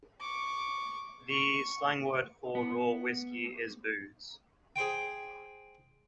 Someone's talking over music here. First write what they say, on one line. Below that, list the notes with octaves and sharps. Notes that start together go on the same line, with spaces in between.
The slang word for raw whiskey is booze.
C#6 D6
C#6
B3
G#4 C5 G5